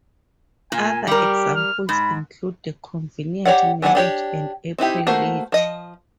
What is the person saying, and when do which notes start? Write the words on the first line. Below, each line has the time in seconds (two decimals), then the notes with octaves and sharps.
Other examples include "The Convenient Marriage" and "April Lady".
0.72 A#2 G#5
1.07 G3 G4 A#4
1.55 F6
1.89 G#2 B5
3.45 G4 C#5 D5 F#5
3.82 E3 F#3 D4 F#5
3.95 D4 G4 C#5
4.78 C4 D#4 E4 G4
5.07 A3 A#3 F#4 C5
5.52 F3 D#5